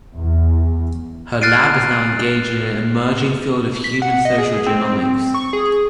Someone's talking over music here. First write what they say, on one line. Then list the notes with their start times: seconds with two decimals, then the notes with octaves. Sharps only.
Her lab is now engaged in an emerging field of human social genomics.
0.14 E2
1.41 F6 F#6 A6 C7 D7 D#7
3.84 B6
4.02 F#5
4.25 D#5
4.38 G#4
4.67 C4
5.34 C#6
5.53 G#4